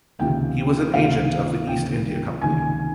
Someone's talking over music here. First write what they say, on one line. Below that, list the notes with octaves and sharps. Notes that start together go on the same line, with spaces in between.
He was an agent of the East India Company.
C#2 C3 D#3 A#3 G5
C#2 C3 D#3 A#3 F5
C#2 C3 D#3 A#3 G5
C#2 C3 D#3 A#3 G#5